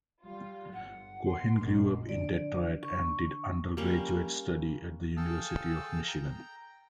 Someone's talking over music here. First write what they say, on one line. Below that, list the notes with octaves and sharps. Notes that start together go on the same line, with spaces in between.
Cohen grew up in Detroit and did undergraduate study at the University of Michigan.
G3 F4
G1 F#5
C6
A#1 F#2 A#2 G#3
D3 D4 D5
C#6
G3 A#3 C#4
G#4 A4 F5 G5 A5 E6
G5 A#5